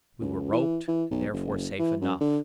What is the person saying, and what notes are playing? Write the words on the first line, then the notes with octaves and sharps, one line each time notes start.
We were roped, and therefore safe enough.
C#2
E3
E3
B1
F#1
E3
F#2
D3